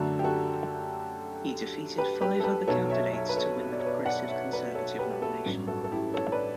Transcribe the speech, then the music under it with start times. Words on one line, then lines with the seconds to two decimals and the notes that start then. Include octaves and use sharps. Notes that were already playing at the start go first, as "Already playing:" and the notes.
He defeated five other candidates to win the Progressive Conservative nomination.
Already playing: F#2 D3 A3 D4 F#4 A4
0.19 G4
0.24 F#4 A4
1.98 G4 B4
2.21 G4 B4
2.40 A4
2.44 G4 B4
2.68 B1 B2 F#3 B3 A4 C#5
2.90 C#5 E5
3.13 C#5 E5
3.29 B4
3.36 A4 C#5
3.71 D5
3.80 C#5
3.86 B4 D5
4.06 D5 F#5
4.29 C#5 E5
4.53 B4 D5
4.75 A4 C#5
4.99 G4 B4
5.10 G4
5.22 F#4 A4
5.46 A1 G2 F#3
5.68 F#4 A4
5.84 A4
5.91 E4 G4
6.14 A4 C#5
6.32 B4 D5